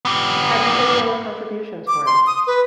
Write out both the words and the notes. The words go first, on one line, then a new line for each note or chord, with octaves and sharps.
Had you any other contributions for him?
B3 G4
D6
C6
D#6
B4